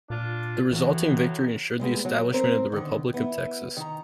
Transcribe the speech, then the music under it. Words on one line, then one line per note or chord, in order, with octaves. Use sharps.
The resulting victory ensured the establishment of the Republic of Texas.
A#2 D4 F4
A2 E3 F#3
G3 G#3 B3
F#3
C4 A#4 C5
D3 D#3
B3 E4
D#3 A#5